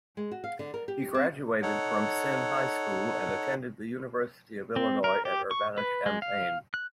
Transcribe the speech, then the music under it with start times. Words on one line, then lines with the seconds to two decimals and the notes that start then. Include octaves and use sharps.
He graduated from Senn High School and attended the University of Illinois at Urbana-Champaign.
0.17 G#3
0.31 F#4
0.44 F5
0.59 D3
0.74 A#4
0.88 G4
1.14 C4
1.63 D#4 A4 C#5 F#5
4.76 C4
5.04 A#4
5.25 G4
5.51 C#6
5.78 B4
6.06 G#3
6.22 F5
6.74 F#6